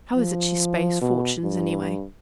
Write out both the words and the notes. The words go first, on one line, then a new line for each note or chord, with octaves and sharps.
How is it she spaes fortunes any way?
F3
B2
G2